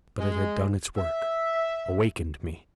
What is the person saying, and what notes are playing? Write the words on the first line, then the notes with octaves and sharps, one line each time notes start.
But it had done its work--awakened me.
G#3
E5